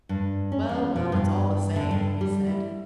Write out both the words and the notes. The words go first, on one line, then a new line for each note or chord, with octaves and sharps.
"Well, well, it's all the same," he said.
G2
C#4
E2
B2
G2
D3
G2
G3
E4